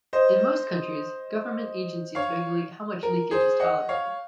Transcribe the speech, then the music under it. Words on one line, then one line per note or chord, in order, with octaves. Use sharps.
In most countries, government agencies regulate how much leakage is tolerated.
C5 D#5
C#5 F5
A#4
G#4 C5
D#5 F#5
C#5 F5